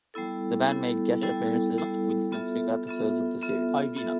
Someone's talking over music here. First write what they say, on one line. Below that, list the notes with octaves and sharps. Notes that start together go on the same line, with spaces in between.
The band made guest appearances in two episodes of the series.
G3 B3 E4 A4
G3 B3 E4 A4
G3 B3 E4 A4
G3 B3 E4 A4
B3 F4 A4 E5
B3 F4 A4 E5
B3 F4 A4 E5
B3 F4 A4 E5